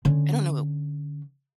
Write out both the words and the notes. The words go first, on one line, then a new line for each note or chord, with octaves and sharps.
I don't know,
D3 C#4